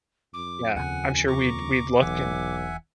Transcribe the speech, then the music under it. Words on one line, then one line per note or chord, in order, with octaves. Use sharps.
Yeah, I'm sure we'd we'd look and,
F2 D6
D#2 C#3 F#5 G#5
A#5 C#6 D6
E1 B1 E3 E5 F#5 G#5